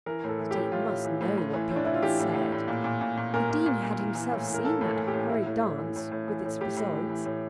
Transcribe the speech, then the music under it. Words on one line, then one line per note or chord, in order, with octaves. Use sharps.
The Dean must know what people had said. The Dean had himself seen that horrid dance, with its results.
E3 A#4
A2 A4
E3
A2 G4
A2 F4
A2
E3
A2
A2
E3
A2
D4
E3 E4
F4
E3 G4
A2
A2
A2
A#2
A#2
A#2
A#2
A#2 A#4
A#2
A#2
A#2
E3
E3
A2
E3
A#4
E3 A4
A2
A4
E3
G4
A2
A2 E4
A2
A2
E3
A2
A2
E3
A2
A2 G4
A2
E3
E3
A2